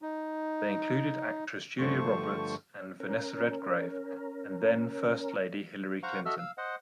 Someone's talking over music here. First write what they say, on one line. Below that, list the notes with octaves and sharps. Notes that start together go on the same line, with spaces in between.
They included actresses Julia Roberts and Vanessa Redgrave and then-First Lady Hillary Clinton.
D#4
G2 D3 F3 A3 C5 C#6
C#4 A#4
C5 F5 F#5 A#5 C#6
F#4 A4 D#5 E5 E6 F6
F5 E6
C5 D#5 F#5